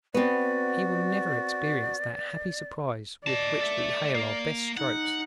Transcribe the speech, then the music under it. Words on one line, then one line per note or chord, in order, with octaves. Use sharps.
He will never experience that happy surprise with which we hail our best strokes.
B3 C4 F#4 B4 D5
D5 D#5 A5
A4 E5
A#3
D#4 F#5